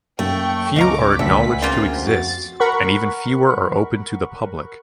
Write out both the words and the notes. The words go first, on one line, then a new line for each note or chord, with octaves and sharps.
Few are acknowledged to exist, and even fewer are open to the public.
F#2 A3 A#3 A4 G5 C#6
C#2 D#5 F5 A#5 C#6 D6
D2 A4 B4 B6
C#3 A#3 C4 F4
F2 F#4 A6
A#4 F#5 B5 C#6